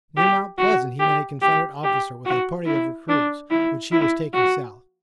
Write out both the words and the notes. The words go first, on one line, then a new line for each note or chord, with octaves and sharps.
Near Mount Pleasant he met a Confederate officer with a party of recruits which he was taking south.
G4
F#4
G4
G4
G4
F#4
E4
D4
E4
E4
F#4